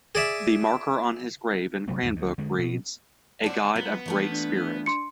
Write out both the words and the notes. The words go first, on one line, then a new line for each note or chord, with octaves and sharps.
The marker on his grave in Cranbrook reads "A guide of great spirit".
G#4 D5 E5
C3 F#3 A3 C4
D#2 G#2 D3
D2
D3 G#3
B2
C5 D5 F#5 A5
F#3 B3 F4
E3 A3 F4
D4
C6 C#7